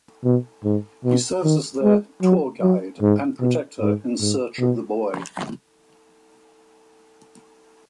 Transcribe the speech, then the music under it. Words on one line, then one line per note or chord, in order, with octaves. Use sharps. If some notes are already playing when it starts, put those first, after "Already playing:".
He serves as their "tour guide" and protector in search of the boy.
B2
G#2
B2
D#3
G#3
F#3
F#3
G#2
B2
G#2
G#2
B2